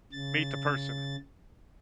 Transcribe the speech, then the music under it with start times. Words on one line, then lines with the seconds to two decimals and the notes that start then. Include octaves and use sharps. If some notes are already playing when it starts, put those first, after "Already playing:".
meet the person.
0.13 C#3 A6